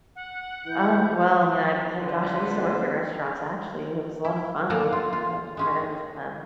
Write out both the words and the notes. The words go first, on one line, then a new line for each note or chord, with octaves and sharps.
Um, well, I mean, I I, gosh. I used to work at restaurants, actually. It it was a lot of fun, like, um, right out of, um
F#5
E3 E4 B4 G6
F2 D3 B4 C5
E4
A#3 A4 D5 F#5 G#5 A#5
F4
F4
G#3 C#4 G#4